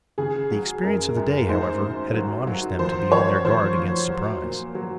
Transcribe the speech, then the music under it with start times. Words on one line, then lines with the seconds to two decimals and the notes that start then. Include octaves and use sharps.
The experience of the day, however, had admonished them to be on their guard against surprise.
0.18 C#3 G#4
0.51 F#3
0.83 F#2 A#4
1.17 F#2
1.49 G#2 C5
1.81 G#2
2.14 F#3
2.47 F#3
2.79 F3 C5
3.12 F3 C#5
3.44 F3 C5
3.77 F3
4.10 F#3
4.43 A#2
4.75 F#3